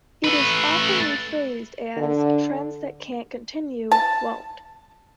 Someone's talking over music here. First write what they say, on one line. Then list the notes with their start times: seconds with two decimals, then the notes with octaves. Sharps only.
It is often rephrased as: Trends that can't continue, won't.
0.24 A3 B4
1.97 D3
3.92 A5